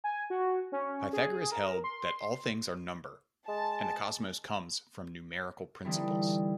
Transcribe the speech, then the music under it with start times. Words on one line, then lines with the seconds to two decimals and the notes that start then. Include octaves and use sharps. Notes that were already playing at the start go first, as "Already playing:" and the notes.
Pythagoras held that all things are number, and the cosmos comes from numerical principles.
0.04 G#5
0.30 F#4
0.72 C#4
1.13 G#4
1.52 A#4
1.84 C6
3.48 G#3 A5
5.84 D3 E3 G3 A3 C4 D#4